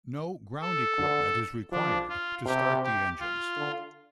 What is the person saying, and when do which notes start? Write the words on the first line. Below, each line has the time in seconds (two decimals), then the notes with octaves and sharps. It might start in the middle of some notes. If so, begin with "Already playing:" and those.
No ground equipment is required to start the engines.
0.61 A4
0.98 D3
1.72 F3 D4
2.09 F4
2.45 C3 G4
2.83 G4
3.20 F4
3.57 D3